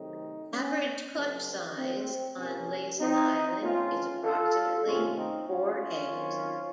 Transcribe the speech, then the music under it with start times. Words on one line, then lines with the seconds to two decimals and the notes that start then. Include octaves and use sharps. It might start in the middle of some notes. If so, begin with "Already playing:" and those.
Average clutch size on Laysan Island is approximately four eggs.
Already playing: C3 D#3 F#3 A3 C4 D#4
0.52 C#4
1.14 C#3 F#3 A#3 C4
1.77 C4
2.38 C3 F3 A#3 C#4
3.00 C4 D#4
3.62 C#3 A3 C4 C#4 F4
4.24 F4 A4
4.85 C3 D#3 A3 C4 C#4 F4
5.16 C4 D#4
5.47 C#4 F4
6.10 D#3 F#3 C4